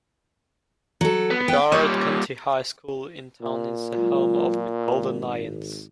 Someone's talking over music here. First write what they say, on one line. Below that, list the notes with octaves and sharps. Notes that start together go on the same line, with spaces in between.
The Garrard County High School in town is the home of the "Golden Lions".
F#3 A4
B3
G5
A#2 G3 C#5
A#2
F#3 G#3 F4
G#1